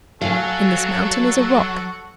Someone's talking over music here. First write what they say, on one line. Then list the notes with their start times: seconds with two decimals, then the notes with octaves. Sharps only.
In this mountain is a rock.
0.21 F#3 F#4 A4 F5 G#5